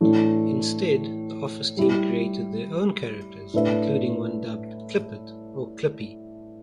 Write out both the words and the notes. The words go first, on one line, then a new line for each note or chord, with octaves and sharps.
Instead the Office team created their own characters including one dubbed "Clippit" or "Clippy".
A2 E3 A3 D4
G3 E4 G4
A2 A3 D4 B4 E5